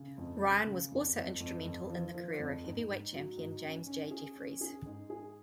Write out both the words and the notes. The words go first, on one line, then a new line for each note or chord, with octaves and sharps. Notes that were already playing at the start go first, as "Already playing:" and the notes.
Ryan was also instrumental in the career of heavyweight champion James J. Jeffries.
Already playing: C#3
F2
C#3
C#3
F2
F2
F2
F2
F3
F3
F2
G#2
G#2
F#3
G#2
C#4
C#4
G#4
C#4
G#4
G#2
G#4